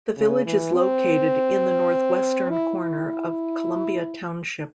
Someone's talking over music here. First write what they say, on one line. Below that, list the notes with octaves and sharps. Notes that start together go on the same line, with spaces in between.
The village is located in the northwestern corner of Columbia Township.
C#3
E3
C4
E4